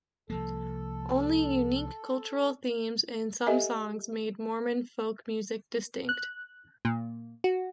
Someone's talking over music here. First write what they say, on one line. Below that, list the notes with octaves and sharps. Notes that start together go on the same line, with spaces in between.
Only unique cultural themes in some songs made Mormon folk music distinct.
C2 F3 A#3 A4
G4 A4 D#5 E5 G#5
F#6
A#2
F#4